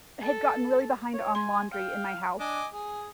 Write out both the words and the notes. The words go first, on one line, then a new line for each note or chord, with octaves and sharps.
had gotten really behind on laundry in my house
A4
C#5
G#5 C6
F5 G5
D4 D#5 G#5 D6
G#4 G#5